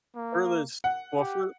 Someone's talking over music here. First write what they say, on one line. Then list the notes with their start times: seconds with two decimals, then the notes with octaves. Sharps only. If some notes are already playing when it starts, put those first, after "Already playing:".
Furthest well, fur
0.15 A#3
0.84 F#5
1.18 G4